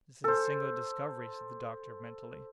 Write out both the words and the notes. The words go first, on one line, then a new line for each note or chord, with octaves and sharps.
"This is a singular discovery!" said the doctor, mentally.
A4 C5